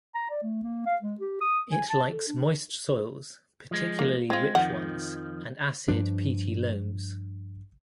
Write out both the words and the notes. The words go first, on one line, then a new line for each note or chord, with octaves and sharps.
It likes moist soils, particularly rich ones, and acid peaty loams.
A#5
D5
A3
A#3
F5
G#3
G4
D#6
G#5
A5
A4
D4
F3 G#3
A#3
G#3 C4 F4
F2 D#3 F3 F#5
G2 F3 D4